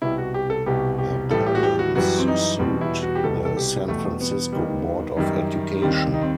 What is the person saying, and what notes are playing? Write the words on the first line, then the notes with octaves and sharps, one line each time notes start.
Her parents sued the San Francisco Board of Education.
C2 B2 G3 E4
F#4
G4
A4
C2 B2 G3 G4
G4
A2 E3 G3 A4
G4
F#4
G4
F#4
F#2 E3 G3 F#4
C4
D#4
E2 B2 G3 C4
E4
F#4
G4
C2 B2 G3 A4
A4
G4
E2 B2 G3 A3
B3
D#2 D#3 G3
F#2 D#3 G3
D#2 D#3 G3 C4
D#4
C4